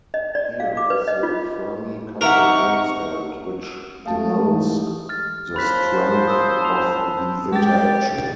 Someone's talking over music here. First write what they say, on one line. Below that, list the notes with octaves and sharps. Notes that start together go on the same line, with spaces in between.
Here is the Fermi coupling constant, which denotes the strength of the interaction.
D#5
D5
F5
D6
B4
D#5
F4
C4 D#4 G4 A#4 E5 F#5 C#6
G#3 A3 G4 F5 A5 D#6
E3 D#4
F6 A6
F#1 F3 C5 B5 F#6 B6
D#6 E6
A5 F7
G#3 G4 A6